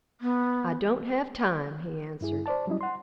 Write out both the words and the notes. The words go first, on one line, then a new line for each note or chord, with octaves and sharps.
"I don't have time," he answered.
B3
G2 E4 G#4
C5 D5 A5
F#3 G3 C#4 E4 D#5
F#5 C6